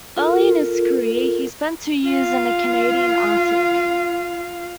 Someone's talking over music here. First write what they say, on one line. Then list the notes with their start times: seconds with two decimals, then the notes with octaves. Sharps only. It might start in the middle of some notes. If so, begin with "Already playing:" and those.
Early in his career, he spent two years in the Canadian Arctic.
0.17 F4 A4 A#4
2.06 F4 F5